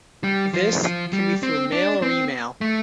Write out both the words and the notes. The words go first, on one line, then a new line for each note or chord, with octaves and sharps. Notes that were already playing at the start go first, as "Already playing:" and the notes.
This can be through mail or email.
G3
F3
F3
G3
C4
D4
C4
A3